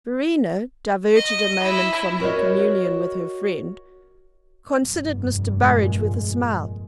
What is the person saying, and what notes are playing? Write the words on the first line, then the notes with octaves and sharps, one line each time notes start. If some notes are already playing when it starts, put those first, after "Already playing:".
Verena, diverted a moment from her communion with her friend, considered Mr. Burrage with a smile.
D#5
E4
F#4 A#4 C5 C#5 D#5
F1 G2
A#2 G#3